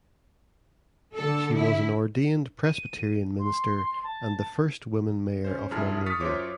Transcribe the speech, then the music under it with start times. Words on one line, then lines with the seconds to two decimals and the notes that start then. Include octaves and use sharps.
She was an ordained Presbyterian minister and the first woman mayor of Monrovia.
1.16 D3 A4
1.55 E4
2.64 D#7
3.39 C6
4.03 A5
5.45 C#4 C5
5.71 C2 F#2 E4 G#4 A5 F6
6.06 C#6 D#6 F6 A6 B6 C#7
6.20 F#2 F4 C5 C#5 D6